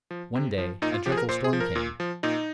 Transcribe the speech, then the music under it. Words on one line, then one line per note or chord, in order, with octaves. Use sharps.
One day a dreadful storm came.
F3
C3
F3
A#2 D#4
F4
F3 G4
G#4
A#4
A#2 C5
G#4
F3
A#4
A#2
F3
A#2 D#4